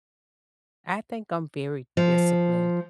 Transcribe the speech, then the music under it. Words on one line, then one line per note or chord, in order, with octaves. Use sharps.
I think I'm very disciplined.
F3